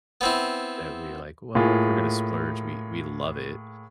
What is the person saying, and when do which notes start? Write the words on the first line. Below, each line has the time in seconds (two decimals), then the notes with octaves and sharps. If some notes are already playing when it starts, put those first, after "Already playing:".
that we're like, "Well, if we're gonna splurge," we we love it,
0.21 B3 C4 E4
1.55 A2 A#3 F4 G#4